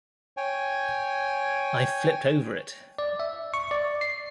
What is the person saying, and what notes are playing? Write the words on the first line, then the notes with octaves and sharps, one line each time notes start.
I flipped over it!
C#5 G5 G#5
D5
E5
C#6
D5
C7